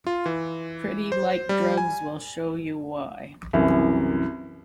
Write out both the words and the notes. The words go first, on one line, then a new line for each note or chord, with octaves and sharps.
"Pretty Like Drugs" will show you why.
F4
E3
C5
G3
G#5
C2 F#2 E3